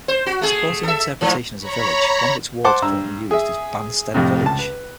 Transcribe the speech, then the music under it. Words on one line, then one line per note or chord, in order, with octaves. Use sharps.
Supporting interpretation as a village, one of its wards currently used is "Banstead Village".
C5
F#4
A3 G#4
A4 E5
G#2 F3
C#5 A#5 B5 C#6
C5 F#5 A5 C6 D6
G2 A#5 E6
G#4 E5
F2 A2 C3
C#2 A5
B4